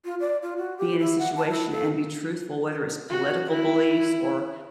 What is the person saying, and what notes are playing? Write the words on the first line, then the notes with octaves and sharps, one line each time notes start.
be in a situation and be truthful, whether it's political beliefs or
F4
D5
F4
F#4
G4
E4
F#5
A5
E4
A4
F#4
E4